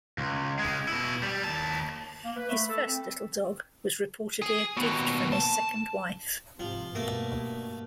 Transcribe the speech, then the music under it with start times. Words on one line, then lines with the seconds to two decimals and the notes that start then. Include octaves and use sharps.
His first little dog was reportedly a gift from his second wife.
0.18 C#2
0.59 C#3 G#3
0.88 B2 E4
1.23 G3
1.44 D#2 A5
2.25 A#3
2.36 B4
2.49 A3 B5
2.69 A4
2.85 C4
4.42 G#4
4.77 D#2 B2
5.32 A5
6.60 G#2 C3 F3
6.95 G2 B2 A3 A#3